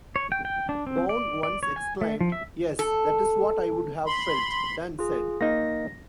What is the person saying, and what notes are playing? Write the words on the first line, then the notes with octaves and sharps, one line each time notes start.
Bourne once exclaimed: Yes, that is what I would have felt, done, said!
C#5
G5
G5
D4
C4
D5
D5
C#5
G#5
A3
F3
E5
A4
B5 C6
F4 G#4
A#3 D#4 A#6